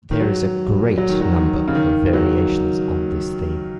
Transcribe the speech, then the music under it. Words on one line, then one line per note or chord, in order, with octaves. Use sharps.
There are a great number of variations on this theme.
D#3
F#3
F#3
D#3
F#3
D#3
C#3
D#3
F#3